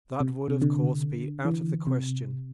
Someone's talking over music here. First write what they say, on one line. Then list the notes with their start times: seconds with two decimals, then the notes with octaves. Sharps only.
That would, of course, be out of the question.
0.20 C3
0.48 C3
0.62 D3
1.45 E3
1.87 C3